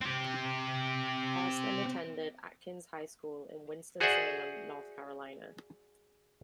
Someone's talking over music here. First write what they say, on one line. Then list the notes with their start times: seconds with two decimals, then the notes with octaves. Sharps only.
Hairston attended Atkins High School in Winston-Salem, North Carolina.
0.01 C4 G4
4.00 F#4 G#4 C5 D5 E5 F#5